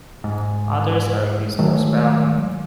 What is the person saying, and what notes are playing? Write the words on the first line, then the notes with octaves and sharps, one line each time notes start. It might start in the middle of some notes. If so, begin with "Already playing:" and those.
Others are used for sprouting.
G#2
D#3 F#3 G#3 A3